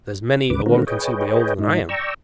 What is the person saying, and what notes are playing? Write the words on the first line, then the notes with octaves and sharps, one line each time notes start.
"There's many a one considerably older than I am."
D2 G#2 C#3 B4 D6
D3 D#3 A3 C4 F#4 A#4
G#4 B4 C#5 D#5 G5
G#2 D#4
D5 G5 A#5 C#6 E6